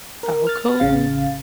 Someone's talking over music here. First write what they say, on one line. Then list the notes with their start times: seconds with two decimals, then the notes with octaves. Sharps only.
Oh, cool.
0.23 A#4
0.47 F6 A6
0.79 A1 C#3 F5 A6